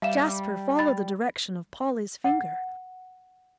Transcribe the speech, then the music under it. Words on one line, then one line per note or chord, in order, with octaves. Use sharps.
Jasper followed the direction of Polly's finger.
G3 E5 F5 E7
B5 A6
F#5